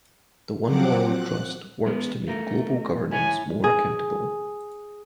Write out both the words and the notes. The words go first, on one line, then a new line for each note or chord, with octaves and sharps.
The One World Trust works to make global governance more accountable.
F3 F#3 C4 F#5 D6
F#6
G#3 B3
A3 A#4
E4 C#5 G#5
G#4